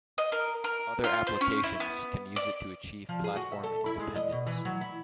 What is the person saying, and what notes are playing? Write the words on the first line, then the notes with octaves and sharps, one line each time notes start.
Other applications can use it to achieve platform independence.
D#5
A#4
A#4
F4
C5
C#4
E4
B3
D5
F3
G#4
F#4
E5
A4
E4
G#3
D#5
B2
E3
F#3
E4